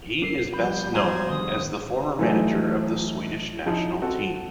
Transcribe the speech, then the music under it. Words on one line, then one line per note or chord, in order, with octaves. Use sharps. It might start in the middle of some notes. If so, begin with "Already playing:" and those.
He is best known as the former manager of the Swedish national team.
D4 A4 A#4 C7
F3 G3 B3 B5 G6
F#4 G#4 C5 G#5 A#5 G#6
D3 D#3 C6 D#6
E3 F#3 A3 D#4
F3 D#4 E4 G#4
C4 F#4 A4